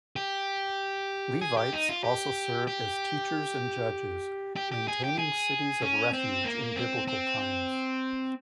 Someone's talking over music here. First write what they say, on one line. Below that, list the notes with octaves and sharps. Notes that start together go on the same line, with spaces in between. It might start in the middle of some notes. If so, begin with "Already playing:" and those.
Levites also served as teachers and judges, maintaining cities of refuge in Biblical times.
G4
G#4
G4
D#4
F4
G4
G4
G4
G4
G#4
G4
G#4
C#4
C4
A#3
C4
C4